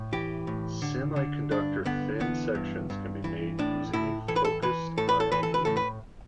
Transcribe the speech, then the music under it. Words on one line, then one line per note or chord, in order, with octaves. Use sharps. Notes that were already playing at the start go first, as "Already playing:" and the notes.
Semiconductor thin sections can be made using a focused ion beam.
Already playing: A2
E3 G4
A2
D3
D3
G2 D4
D3 B3
E3 B3
G2
G2
E3
A2 D4
A2 E4
E3 A4
B4
A4
E3 B4
A2 A4
B4
A4
E3 B4
A4
B4
A2 A4
B4